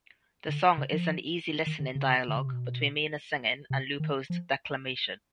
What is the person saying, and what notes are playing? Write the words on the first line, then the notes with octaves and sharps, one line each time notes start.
The song is an easy listening dialogue between Mina's singing and Lupo's declamation.
D3
C#3
F3
D#3
D3
C#3
D3
C#3
C3
B2
C3
D#3
F3